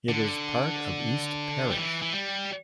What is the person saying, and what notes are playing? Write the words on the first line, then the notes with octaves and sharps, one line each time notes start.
It is part of East Parish.
D3
G3
E3
E3
G3